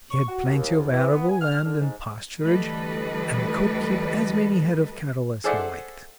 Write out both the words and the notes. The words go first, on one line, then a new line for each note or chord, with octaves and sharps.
He had plenty of arable land and pasturage, and could keep as many head of cattle as he liked.
C#6
F#4
D#2
E2
E3
B3
G#5
F6
D3
G#2
D2 E3 G3 A4 B4 D#5
G#4 A4 C5 D5 E5 F#5